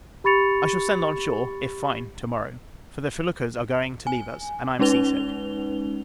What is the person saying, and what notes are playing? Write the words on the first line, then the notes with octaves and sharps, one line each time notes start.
I shall send on shore, if fine, to-morrow; for the feluccas are going to leave us, and I am sea-sick.
G4 B5 C#6 A6 C#7 F7
G#5
G#3 C#4 D#4 B4 F7 G7